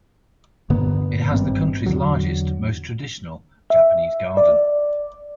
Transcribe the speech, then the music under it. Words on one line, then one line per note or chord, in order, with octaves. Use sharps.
It has the country's largest, most traditional Japanese garden.
G2 D3 A#3 B3
G#1 G2 C4
E2 D3 F#3
E5
D5